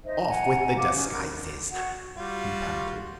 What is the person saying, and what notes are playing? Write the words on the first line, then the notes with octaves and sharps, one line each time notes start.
"Off with the disguises!" he panted.
D#4 C5 D#5 E5
F#5 G#5 A#5
F5 F#5 D6
C#4 D#4 F#4
A#4 D5
F#4 F#5
G3 F4 F#4